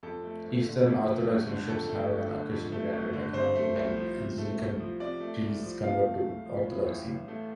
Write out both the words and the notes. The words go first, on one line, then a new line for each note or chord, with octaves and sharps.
Eastern Orthodox bishops have, on occasion, granted "economy" when Anglican priests convert to Orthodoxy.
F2 A4
A3
G1
D3
F2
A3
G1
D3
F2 A4
A3
G1
D3
F2
A3
G1
D3
C3 C5
A3
C2
F3
C3
A3
C2
F3
C3 D5
A3
C2
F3
C3 F5
A3
C2
F3
A2
A1
A1
A3